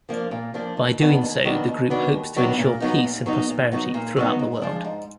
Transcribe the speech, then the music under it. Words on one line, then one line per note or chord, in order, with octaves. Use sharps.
By doing so, the group hopes to ensure peace and prosperity throughout the world.
F3 A#3 D4
A#2
F3 A#3 D4
D#2
D#3 F#3 B3 D4
D#2
D#3 F#3 B3 D4
D#2
D#3 F#3 B3 D4
D#2
D#3 F#3 B3 D4
A#2
F#3 B3 D#4
A#2
F#3 B3 D#4
A#2
F#3 B3 D#4
A#2
F#3 B3 D#4
G#2
F3 G#3 D4
G#2